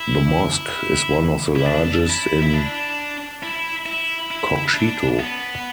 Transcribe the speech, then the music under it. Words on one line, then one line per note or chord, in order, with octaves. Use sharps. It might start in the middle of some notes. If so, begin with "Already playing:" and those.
The mosque is one of the largest in Kokshetau.
Already playing: E4
E4
D4
E4
E4
D4
E4
E4
E4
D4
B3